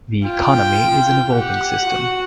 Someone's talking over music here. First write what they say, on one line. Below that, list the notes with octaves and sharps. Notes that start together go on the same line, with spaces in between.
The economy is an evolving system.
F4 G5
G4 F#5
F#4